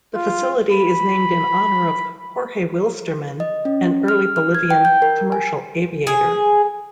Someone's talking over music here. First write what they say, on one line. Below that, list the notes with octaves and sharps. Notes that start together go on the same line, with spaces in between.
The facility is named in honor of Jorge Wilstermann, an early Bolivian commercial aviator.
F4
B5
D#5
C#4
F6
F6
G#6
G5
G6
A#4
G#5
G#4